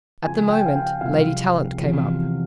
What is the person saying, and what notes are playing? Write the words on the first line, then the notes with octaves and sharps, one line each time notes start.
At the moment, Lady Tallant came up.
C#2 C#3 F3 G#5
G5
F5
G5
C2 C3 F3 F5
E2 C3 F3